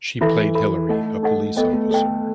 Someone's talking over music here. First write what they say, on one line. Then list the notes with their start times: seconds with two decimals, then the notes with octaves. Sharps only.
She played Hilary, a police officer.
0.21 E3 E4 A4 E5 B5
0.55 E4 A4 E5 B5
0.89 A3 D#4 A4 D#5 F#5
1.23 D#4 A4 D#5 F#5
1.56 B3 A4 D#5 G5
1.73 A3
1.91 A3 A4 D#5 G5